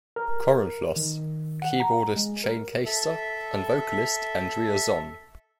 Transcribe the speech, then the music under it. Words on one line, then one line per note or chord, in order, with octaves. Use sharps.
Corenflos; keyboardist Shane Keister, and vocalist Andrea Zonn.
A#4
D#3
F#5
A#5
G#3
A#4
A4 E5